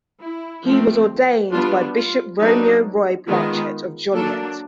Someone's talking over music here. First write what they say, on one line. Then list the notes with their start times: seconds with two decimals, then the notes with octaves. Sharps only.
He was ordained by Bishop Romeo Roy Blanchette of Joliet.
0.21 E4
0.64 F3 A3 C4
1.52 G3 B3 D4 F4
1.96 F4
2.39 F#3 B3 D4 D#4
3.27 D#3 G#3 B3 F4
4.14 F#3 A#3 D4 A4